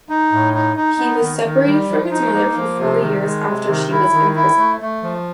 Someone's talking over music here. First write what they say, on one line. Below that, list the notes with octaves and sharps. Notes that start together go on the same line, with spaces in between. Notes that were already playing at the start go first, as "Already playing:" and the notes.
He was separated from his mother for four years after she was imprisoned.
D#4
A2
D#4
D#4
B3
D#3
D#3
G3
F3
D#4
A#3
F3
C3
D#3
G#3
C3
D#3
E4
D#3
E4
A3
A3
F3